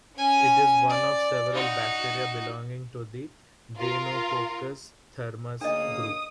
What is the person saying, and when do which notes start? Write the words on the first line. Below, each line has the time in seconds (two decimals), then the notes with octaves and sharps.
It is one of several bacteria belonging to the "Deinococcus-Thermus" group.
0.16 C#4 G#5
0.90 D5
1.52 D#4 F#4
3.77 F4 A#4
5.61 D2 C#3 A#3 D4 D#5 D#6